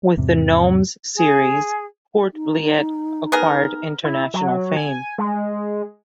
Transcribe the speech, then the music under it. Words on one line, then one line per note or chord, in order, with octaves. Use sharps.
With the Gnomes series Poortvliet acquired international fame.
E2 G#2 C3
G#4
D#4
B3 G#4 A#4
E4
F#3
G#5
G#3